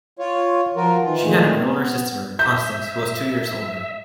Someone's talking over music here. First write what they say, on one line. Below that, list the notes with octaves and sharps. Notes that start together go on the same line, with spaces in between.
She had an elder sister, Constance, who was two years older.
F4 C#5
F3 F4 F#4 A#4
D#3 E3 F4
A#2 D#3 G#3 A3
B3
E5 G6